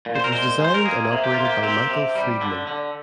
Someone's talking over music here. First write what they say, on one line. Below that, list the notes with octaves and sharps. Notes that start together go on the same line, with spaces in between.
It was designed and operated by Michael Freedman.
A#2
C5
A#4
G#3 C5
G#3
C5
A#4
A#3 G#4
C3
G4
A#3 F4
G4
C4 G4
C3
G3
D3
D3